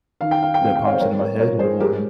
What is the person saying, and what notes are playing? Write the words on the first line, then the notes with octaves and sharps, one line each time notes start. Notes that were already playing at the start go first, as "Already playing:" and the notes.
that pops into my head in the morning.
D#3 F5
G5
F5
G5
C4 F5
G5
C#5 F5
C5
G3 A#4 C#5
A#4 C#5
F4 A#4 C#5
G#4 C5
G#3 G4 A#4